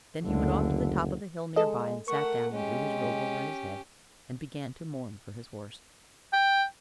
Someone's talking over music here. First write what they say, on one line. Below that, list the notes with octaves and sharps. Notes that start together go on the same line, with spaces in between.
Then he went off to the top of a hill near by, and sat down and drew his robe over his head, and began to mourn for his horse.
F#1 D2 D3
G#3 A4 D#5
A3 A#4 F#5 C#6
G#3 C#4 G4
G5